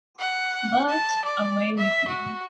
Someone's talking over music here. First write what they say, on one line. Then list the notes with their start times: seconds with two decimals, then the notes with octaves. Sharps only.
But, away with you!
0.19 F#5
0.89 A5
1.25 D5
1.77 E5
2.08 F#4